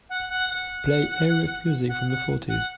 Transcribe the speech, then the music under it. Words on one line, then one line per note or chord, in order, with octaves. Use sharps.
Play Arif music from the fourties.
F#5
F#5
F#5
F#5
F#5
F#5